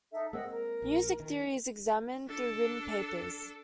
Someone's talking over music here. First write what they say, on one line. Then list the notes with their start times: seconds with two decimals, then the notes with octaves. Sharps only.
Music Theory is examined through written papers.
0.12 D#4 A4 E5
0.33 G#3 A#3 C4 D#5 F#5 E6
0.50 A#4
0.82 A#1
1.20 D#3
2.28 D4 A4